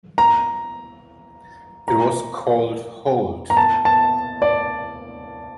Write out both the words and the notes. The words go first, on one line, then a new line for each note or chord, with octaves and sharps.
It was called Holt.
A#5
A#5
A#5
A5
A5
D5